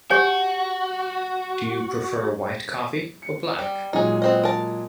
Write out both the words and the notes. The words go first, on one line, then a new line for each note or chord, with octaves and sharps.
Do you prefer white coffee, or black?
F#4 G4 C#5 G#5
C#7
G3
A#2 F#3 G#3 D#4 G#4
B3 C4 D#5
A#4 A5